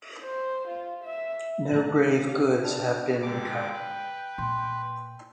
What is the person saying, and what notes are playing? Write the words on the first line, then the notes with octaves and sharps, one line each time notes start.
No grave goods have been recovered.
C5
F4
E5
A2 D#3 A3 A5 A#5 F#6
C#4 G4 F5
D4 F6
G#2 D3 G5 D6
B4
A#2 C6